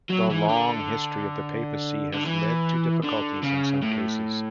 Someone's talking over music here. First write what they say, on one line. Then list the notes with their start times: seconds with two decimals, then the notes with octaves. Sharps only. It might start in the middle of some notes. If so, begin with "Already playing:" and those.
The long history of the Papacy has led to difficulties in some cases.
0.10 F#3
0.30 E3
0.49 D3
2.14 D3
2.26 E3
3.04 D3
3.43 C#3
3.82 A2